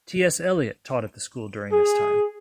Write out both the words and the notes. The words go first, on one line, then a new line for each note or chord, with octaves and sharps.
T. S. Eliot taught at the school during this time.
G#4